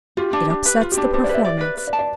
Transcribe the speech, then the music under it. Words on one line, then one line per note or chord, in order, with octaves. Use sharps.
It upsets the performance.'
F4 G4
D4
D4
B4
F4
G4
D4
B4
D4 C5
D5
B4 E5
D5
B4
B4
D5
A5
D5